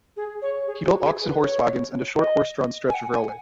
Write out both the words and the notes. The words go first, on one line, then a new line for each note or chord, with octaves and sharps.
He built ox and horse wagons and a short horse-drawn stretch of railway.
G#4
C#5
G#4
F#4
G#4
B4
C#5
D#5
G#5
F#5
G#5